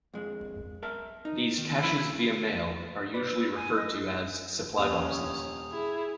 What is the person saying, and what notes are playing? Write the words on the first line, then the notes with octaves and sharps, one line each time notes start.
These caches-via-mail are usually referred to as "supply boxes".
F2 G#3
A#4 E5 A5
D#4
D#3
B1 F3 E4 C5
B4 D5
E6
G#5
D#5
D#1 C#4 D#6 F7
E4 G#4